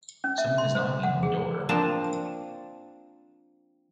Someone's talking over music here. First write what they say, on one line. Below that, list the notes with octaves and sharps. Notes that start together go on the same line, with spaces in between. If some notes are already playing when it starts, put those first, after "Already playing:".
Someone is knocking on the door.
C#4
E5
C6
C5
F#5
G#4
F3 A#3 C4 D4 D5 A5